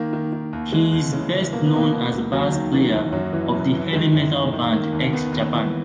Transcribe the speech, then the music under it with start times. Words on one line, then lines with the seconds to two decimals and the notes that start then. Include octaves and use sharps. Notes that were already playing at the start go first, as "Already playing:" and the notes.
He is best known as bass player of the heavy metal band X Japan.
Already playing: D#3 A#3
0.13 D#3
0.32 D#3
0.53 D#2
0.72 E3 G#3
0.92 D#2
1.13 C#3
1.33 E3
1.53 B2 A#3
1.65 B3
1.73 B2 A#3
1.93 B2
2.12 C#2
2.32 D#2 F#3
2.52 D#3
2.73 D#3 E3
2.93 D#2
3.12 F#2 F#3
3.33 E3
3.53 F#2
3.72 E3
3.93 D#3 G#3
4.13 F#2
4.33 D#3
4.53 D#3
4.72 D#3 A#3
4.93 D#2
5.13 D#3 B3
5.32 D#2
5.53 E3